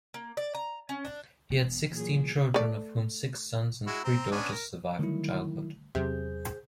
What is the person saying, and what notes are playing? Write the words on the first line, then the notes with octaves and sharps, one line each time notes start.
He had sixteen children of whom six sons and three daughters survived childhood.
A#3
D5
A#5
C#4
D4
E1 B3
A#2 E3 F#3 G#4
A3 D5
G#3 E4 F#4
C4 A#5
B3 C#4 D4
A#4
D3 D#3 F#3 G3 A3 E4
E2 C3 F#3 G#4 C5 G6